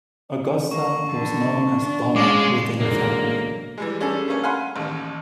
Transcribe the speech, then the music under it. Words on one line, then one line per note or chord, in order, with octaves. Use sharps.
Augusta was known as "Dona" within the family.
A#3 C#6
D3
D4
G#3 C#4 F4 D6 E7
B1 G#2 D3 E3 A#3 A#4
E3 G3 G#3
G3 C#4 D4 G#4 A4
G3 A3 A#3 C#4 C#5
F5 F#5 G#5 B5 C6 F6
A1 D#2